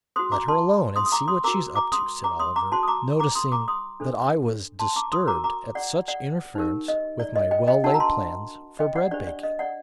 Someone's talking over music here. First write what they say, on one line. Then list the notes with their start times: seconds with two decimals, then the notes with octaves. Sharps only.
"Let her alone, and see what she's up to," said Oliver, noticing that I was disturbed at such interference with my well-laid plans for bread-baking.
0.16 F#4 C5 C6 D#6
0.32 A#5 D6
0.48 A5 C6
0.96 C6 D#6
1.06 D#6
1.12 A#5 D6
1.28 C6 D#6
1.44 F#4 A#4 A#5 D6
1.75 A#5 D6
1.92 C6 D#6
2.24 A#5 D6
2.39 C6 D#6
2.56 A#5 D6
2.72 F#4 C5 A5 C6
2.83 D#6
2.88 A#5 D6
3.20 A#5 D6
3.35 C6 D#6
3.52 A#5 D6
3.68 C6 D#6
4.00 D4 A4 C5
4.79 A5 C6
4.96 A#5 D6
5.12 C6 D#6
5.27 F#4 A#4 A#5 D6
5.44 A#5 D6
5.75 D5 F#5
6.08 D5 F#5
6.55 D#4 G4 A#4
6.88 D#5
7.20 D5
7.36 D#5
7.51 D#5 G5
7.68 D#5 G5
7.84 D4 F#4 A#4 F#5 A5
7.94 A#5
8.00 A5 C6
8.79 D#5 G5
8.96 D5 F#5
9.11 D4 G4 C5 D5
9.27 D5
9.43 D#5
9.59 D5 F#5